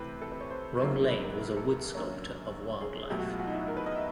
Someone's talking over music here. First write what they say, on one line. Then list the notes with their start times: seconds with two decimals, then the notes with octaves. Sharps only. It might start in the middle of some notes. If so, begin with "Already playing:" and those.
Ron Lane was a wood sculptor of wildlife.
Already playing: C3 E3 A3 C4 B4
0.22 A4
0.32 B4
0.41 C#5
0.50 C5
0.79 D2 C3 D#3 F#3 A#3
1.09 B4
1.23 A#4
1.38 B4
1.57 A4
1.65 A#4
1.95 F#2 D3 F#3 A#3 C#4
2.81 G#4
3.04 G#4
3.10 C#2 B2 F#3 A3 G4
3.19 F#4
3.29 F4
3.39 F#4
3.47 D#4
3.54 E4
3.68 A#4
3.77 B4
3.86 D#5
3.96 E5